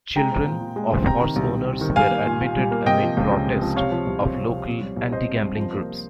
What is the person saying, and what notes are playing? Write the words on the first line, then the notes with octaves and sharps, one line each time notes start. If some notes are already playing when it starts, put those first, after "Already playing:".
Children of horse owners were admitted amid protest of local anti-gambling groups.
G#3 G5 A#5
C4
A#2
A#2
G#3
C4
C3 G5 A#5
D#3
C2
C2
C3
D#3
G3 F5 G#5
A#3
A#2
A#2
G3
A#3
C3 D#5 G5
F3
C#2
C#2
C3
F3
C3 C#5 F5
F3
C2
C4
C3
F3
C3
G3
C2
C4 C5 D#5
C3
G3
F3
A#3